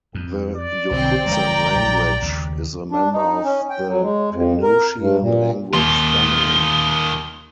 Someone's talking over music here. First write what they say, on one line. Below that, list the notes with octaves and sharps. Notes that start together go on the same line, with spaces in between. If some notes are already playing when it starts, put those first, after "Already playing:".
The Yokutsan language is a member of the Penutian language family.
F2
D5
B1 D3 F3 C4 G5
G1 F3 G#3 G5 A#5
A#1 F#3
D#2 C#3
D4
D#4
C#4
G5
F#3
G#3
F2
A#4
G2
A#2
D#2 D#3 F4 C6 G7